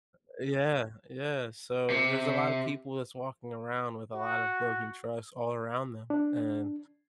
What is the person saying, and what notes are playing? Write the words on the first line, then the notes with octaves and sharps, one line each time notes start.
Uh, yeah yeah, so there's a lot of people that's walking around with a lot of broken trust all around them, and
C3
F#4
D4